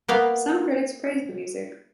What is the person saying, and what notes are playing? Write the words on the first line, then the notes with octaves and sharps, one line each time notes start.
Some critics praised the music.
A#3 B3 F5